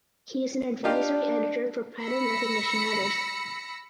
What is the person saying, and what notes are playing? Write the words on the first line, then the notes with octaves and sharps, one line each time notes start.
He is an advisory editor for "Pattern Recognition Letters".
D4 D#4 F4 G4
B5 E6 A#6 C#7